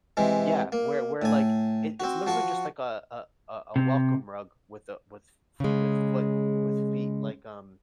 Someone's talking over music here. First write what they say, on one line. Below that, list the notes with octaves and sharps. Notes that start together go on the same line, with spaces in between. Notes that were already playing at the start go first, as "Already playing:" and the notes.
yeah, where where, like, it it's literally just like a a a a welcome rug with a with feet with foot with feet, like, um,
C3 E3 G#3
A#3
A2 G#5
C4 F#4
F3 F#4 F#5 C#6
C3
C#3 G#3